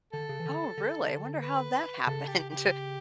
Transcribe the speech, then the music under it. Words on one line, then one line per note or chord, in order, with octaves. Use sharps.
Oh, really? Wonder how that happened.
D3 A4
C#3
E3
D3
D3
B4
C#3 A4
G4
G4